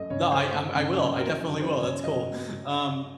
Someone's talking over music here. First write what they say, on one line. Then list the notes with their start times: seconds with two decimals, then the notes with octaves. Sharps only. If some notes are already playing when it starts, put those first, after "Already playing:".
Nah, I I'm I will, I definitely will, that's cool. Um,
Already playing: F#2 A3 D#5
0.10 C#3 C#5
0.31 A3 C5
0.53 A3
0.75 C#3
0.96 F#2
1.18 F#3 A#4
1.39 F#2
1.60 F#2 C5
1.81 C#3 C#5
2.04 F#3 D#5